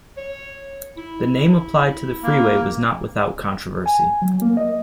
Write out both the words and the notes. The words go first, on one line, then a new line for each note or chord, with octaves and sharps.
The name applied to the freeway was not without controversy.
C#5
E4
A#3
G#5
F#3
A#3
D#5